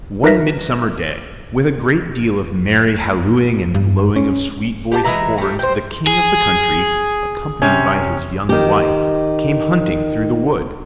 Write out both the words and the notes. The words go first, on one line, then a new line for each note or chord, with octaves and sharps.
One midsummer day, with a great deal of merry hallooing and blowing of sweet-voiced horns, the King of the country, accompanied by his young wife, came hunting through the wood.
D#4 A#4 B4 E5 A#6 B6
G2
C#4
G4 F#5 A5
E3 G#3 E5 A#5
A3 G4
C5 G5
G#4
C3 C#4
D#3 G4